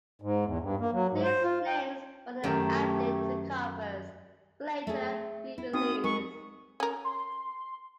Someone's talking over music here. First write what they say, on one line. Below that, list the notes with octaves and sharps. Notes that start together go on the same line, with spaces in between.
These names were then added to the covers for later re-releases.
G#2
E2
G2
A#3
F#3
G#2
C5
F4
G5
F#2 D#3 A3 G4
A3 G#4
E4
C4 D#4 F#4 G5 D#6
G#3 A#4 C#6
C#4 A#4
C6